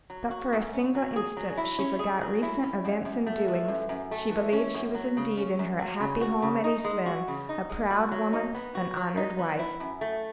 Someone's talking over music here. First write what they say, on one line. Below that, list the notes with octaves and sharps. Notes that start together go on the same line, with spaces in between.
But, for a single instant, she forgot recent events and doings, she believed she was indeed in her happy home at East Lynne, a proud woman, an honored wife.
F#3
F#4
G#2
C#4
F#3
G#4
F#3
E4
C#4
G#4
F#3
E4
C#4
F#2
F#2
A3
E3
F#2
F#2
A3
E3
C#4
F#2
F#3
C#3
C#4
F#2
F#3
C#3
F#4
C#3
D#4
G#3
F#4
C#3
D#4
G#3
F#4
F#3
D#4
B3
F#4
F#3
D#4
B3
E4
F#2
A3